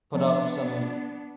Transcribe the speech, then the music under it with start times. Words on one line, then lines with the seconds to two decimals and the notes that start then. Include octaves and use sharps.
put up some
0.14 F3 B3 C4 D4